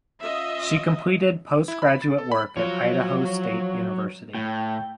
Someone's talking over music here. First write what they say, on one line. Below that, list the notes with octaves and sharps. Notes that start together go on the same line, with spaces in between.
She completed postgraduate work at Idaho State University.
C#4 F4 D#5 E5
E4
B5
A6
A4
B5
F3 F#3 C#5
A2 G5